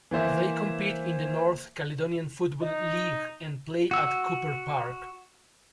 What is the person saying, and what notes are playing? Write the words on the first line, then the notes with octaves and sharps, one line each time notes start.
They compete in the North Caledonian Football League and play at Couper Park.
E3 A#3 C5 E5
D#4 D#5
F#4 E6